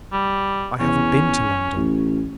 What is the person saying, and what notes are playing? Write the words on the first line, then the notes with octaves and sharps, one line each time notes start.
'I haven't been to London.
G3
E2 C#4
A1